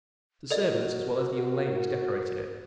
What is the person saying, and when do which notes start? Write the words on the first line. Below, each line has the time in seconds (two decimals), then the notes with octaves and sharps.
The servants, as well as the young ladies, decorated it.
0.51 F#4 A4 A#4 D5 D#5